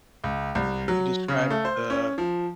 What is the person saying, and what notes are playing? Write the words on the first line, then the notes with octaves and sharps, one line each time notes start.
he described the
C#2
C2
F#3
C#3
A3
C5
C#4
F3